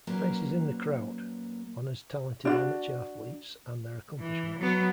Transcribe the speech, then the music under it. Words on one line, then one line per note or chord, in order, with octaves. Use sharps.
Faces in the Crowd: honors talented amateur athletes and their accomplishments.
A#2 F#3 A#3 C#4 B4 C5
D4 F4 F#4
E3
F#3 B3